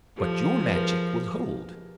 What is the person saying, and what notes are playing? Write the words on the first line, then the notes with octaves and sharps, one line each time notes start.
But your magic will hold.
F3 G4 A4
B4
G#4 A#4